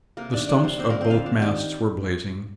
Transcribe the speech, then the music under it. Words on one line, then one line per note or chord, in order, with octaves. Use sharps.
The stumps of both masts were blazing.
C3 A#3 A#4
D#3 D4 D5
C3 D4 D5
G3 C4 C5
D3 C4 C5
A#3 A#4
G#3
C4 C5
D3 F4 F5
D4
D#3 G4 G5